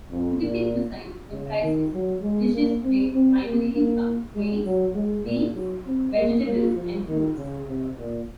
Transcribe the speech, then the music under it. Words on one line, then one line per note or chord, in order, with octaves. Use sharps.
Udupi cuisine comprises dishes made primarily from grains, beans, vegetables, and fruits.
F2
A#2
C#3
D#3
F#3
G#3
A#3
C4
C4
A#3
A#3
G#3
F#3
G#3
A#2
F#3
C4
A#3
A#3
F3
D#3
C#3
C3
A#2